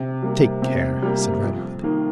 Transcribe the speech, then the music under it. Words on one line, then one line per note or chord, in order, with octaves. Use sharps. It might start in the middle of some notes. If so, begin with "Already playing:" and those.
'Take care,' said Riderhood.
Already playing: C3
G3 A#3
C3
G3 A#3
F2
D#3 A#3